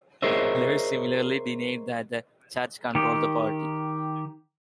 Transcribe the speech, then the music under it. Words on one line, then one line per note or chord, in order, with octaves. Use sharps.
Lewis similarly denied that the church controlled the party.
G#4 A#4 C5 C#5 D#5 E5
D#3 G4